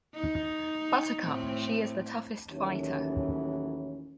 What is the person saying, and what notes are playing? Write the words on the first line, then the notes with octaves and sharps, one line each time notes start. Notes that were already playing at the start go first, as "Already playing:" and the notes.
Buttercup, she is the toughest fighter.
D#4
A2 C4
D#2 A2 E3 F#3 C#4